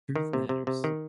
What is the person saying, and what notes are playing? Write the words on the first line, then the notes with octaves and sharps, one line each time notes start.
Truth matters.
D#3
C3
C3
C3
D#3